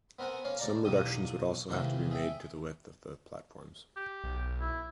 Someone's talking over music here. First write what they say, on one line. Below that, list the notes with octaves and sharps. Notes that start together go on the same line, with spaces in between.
Some reductions would also have to be made to the width of the platforms.
B3 C4 A#4 F#5 G#5
A#3 C#4 C#5 F5
D2 D5 A#5
B1 E2 A#3 G4 D#6
C3 D#3 E3 G#3 A#3
G#4 E5 G5
G4
B1
E4